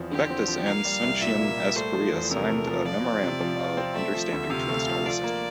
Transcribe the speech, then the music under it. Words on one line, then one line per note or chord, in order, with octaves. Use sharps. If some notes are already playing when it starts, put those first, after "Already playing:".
Vectus and Suncheon S. Korea signed a memorandum of understanding to install a system.
Already playing: E2 F3 C4
D3 G4
C4
F3
A#3 F5
G3
C2
A#2 E5
A#3
G3
A3 C5
F3
E2
C3 A#4
A3
F3
F4 D5
C4
C3
F3
F4
C4
A3 E5
F3
D2
C3 F5
A3
F3
F4 D5
A#3